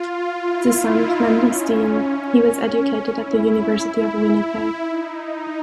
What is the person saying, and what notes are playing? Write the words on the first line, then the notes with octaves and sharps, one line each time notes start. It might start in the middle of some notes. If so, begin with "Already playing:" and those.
The son of Manley Steen, he was educated at the University of Winnipeg.
Already playing: F4
E4
D#4
C#4
E4
E4
D#4